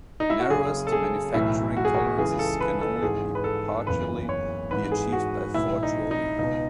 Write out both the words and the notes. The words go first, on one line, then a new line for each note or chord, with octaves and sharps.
Narrowest manufacturing tolerances can only partially be achieved by forge rolling.
D#4
E4
F#4
F#1 F#2 C#3 G#4
A4
G#4
B1 A2 E3 E4
F#4
G#4
F#4
C#2 C#3 E3 G#4
A4
B4
A4
A4
G#1 G#2 E3 G#4
B4
A4
F#1 E2 C#3 E3 B4
C#5
G#1 G#2 E3 B4
G#4
F#4
B1 A2 E3 E4
D#4
D#4
C#2 B2 D#4